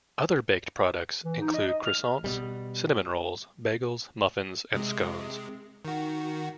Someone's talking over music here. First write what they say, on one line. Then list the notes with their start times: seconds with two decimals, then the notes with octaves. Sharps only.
Other baked products include croissants, cinnamon rolls, bagels, muffins, and scones.
1.24 E3
1.40 D#4
1.54 D#5
1.68 D#5
1.85 F6
2.24 B2 G3
4.74 C3 G#3
5.85 D#3 F#4